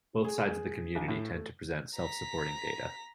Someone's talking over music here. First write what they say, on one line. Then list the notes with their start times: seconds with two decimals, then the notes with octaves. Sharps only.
Both sides of the community tend to present self-supporting data.
0.24 G#4
0.43 G#4
0.95 A#1
1.08 A2
1.34 A3
1.96 A#5 B6